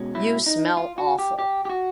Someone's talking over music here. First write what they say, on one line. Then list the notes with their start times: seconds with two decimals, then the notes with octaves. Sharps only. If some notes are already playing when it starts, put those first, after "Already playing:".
You smell awful.
Already playing: B2 G#3 C#4
0.15 E4
0.46 D#4
0.77 F4
0.98 F#4
1.19 G4
1.39 G4
1.65 G4
1.70 F#4